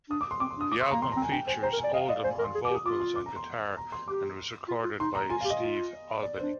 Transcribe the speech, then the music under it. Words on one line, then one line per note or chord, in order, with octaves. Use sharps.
The album features Oldham on vocals and guitar, and was recorded by Steve Albini.
D4 D#6
D6
C6
C4 D6
C6
D4 D#6
D6
C6
A#3 A#5
C4 C6
A#5
C4
G#5
D4 G5
C5 G#5
C5 A#5
A#4
G#5
D5
D#5 F5
D5 D#5
C5 G#5
A#4 G#5
C6
G#4
D6
G4
D#6
F4 D6
C6
D6
A#5
C6
A#5
C6
G4 D6
F4
F4
D#4 C6
A#5
F4 G#5
G4 F5
D#5
F4
D5
D4 C5